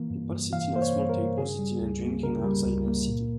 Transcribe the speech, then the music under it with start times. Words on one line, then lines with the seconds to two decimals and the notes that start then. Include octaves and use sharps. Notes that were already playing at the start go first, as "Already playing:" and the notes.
People sitting at small tables eating and drinking outside in a city.
Already playing: E3 A#3
0.11 G2
0.32 G2
0.53 E3 F5
0.74 A#3 C5
0.82 C#5
0.95 G2
1.09 A#4
1.17 G2
1.38 C#3 G#4
1.59 G3
1.81 C#2
2.02 A#3
2.23 C#3 A#4
2.44 G3
2.66 C#2
2.86 A#3
3.08 A#2